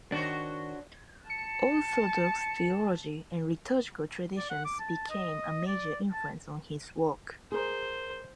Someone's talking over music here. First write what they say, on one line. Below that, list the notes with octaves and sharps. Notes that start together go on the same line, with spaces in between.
Orthodox theology and liturgical traditions became a major influence on his work.
D#3 D4 F#4 C5 C#5
A5 C#7
D5
F#5
D6
A5
D#5
D5
A5
G#4 A#4 C5